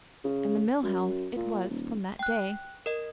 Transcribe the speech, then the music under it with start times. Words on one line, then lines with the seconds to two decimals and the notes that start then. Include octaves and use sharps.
And the "Mill House" it was from that day.
0.24 C#3
0.83 F#2
1.36 A#2
1.69 D#1
2.19 G5 F#6
2.86 A#4 D#5